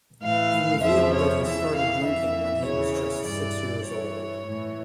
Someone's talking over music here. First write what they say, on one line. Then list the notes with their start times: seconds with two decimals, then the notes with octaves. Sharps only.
He revealed that he started drinking when he was just six years old.
0.22 A2 E3 F5
0.82 F2 C#3 F3 E5
1.13 C#5
1.43 E2 E3 E5
1.74 F5
2.04 F2 E3 E5
2.64 E2 C#3 E3 C#5
2.95 C#5
3.25 G2 E3 D5
3.86 G2 E3 C#5
4.47 A2 E3